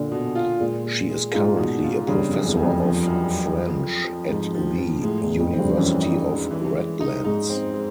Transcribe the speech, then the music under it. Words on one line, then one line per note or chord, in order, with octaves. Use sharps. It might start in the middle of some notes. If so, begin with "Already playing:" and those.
She is currently a professor of French at the University of Redlands.
Already playing: A#2 D3
B2
F4
A#2 G#3
G#3
G#3
G#2 F4
B2
F4
G2 C#3
F2
F#2
E2
F#2
F2
F3
F#2
F#2
F3
F3
F3
G#2 F3
F3
F3
A2 G#3
E2
G#3
F2
C4
G2
F#2 E3
D#4
G#3
E3
G#3
D#4
G#2 D#4
C4
G#3